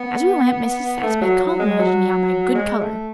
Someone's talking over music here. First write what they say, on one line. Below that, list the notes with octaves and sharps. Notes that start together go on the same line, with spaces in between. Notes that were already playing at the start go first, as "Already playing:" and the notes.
As we went Mrs. Saxby complimented me on my good colour.
Already playing: B3
A3
F#3
F#3
F#3
G#3
F#3
G#3
A3